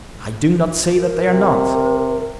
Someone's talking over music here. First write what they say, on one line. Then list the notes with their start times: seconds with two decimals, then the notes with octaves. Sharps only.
"I do not say that they are not."
0.96 A#4
1.30 C3